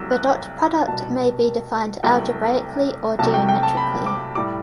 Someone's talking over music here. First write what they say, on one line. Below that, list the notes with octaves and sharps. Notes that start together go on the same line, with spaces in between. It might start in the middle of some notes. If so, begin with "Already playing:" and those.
The dot product may be defined algebraically or geometrically.
Already playing: C2 C3 F#3 A3 D6 E6
F#6
C2 B2 G3 A5
C2 C3 F#3 A3 G5
C2 C3 F#3 A3 A5
G5
G5
A5
B5
D6
A2 G3 D6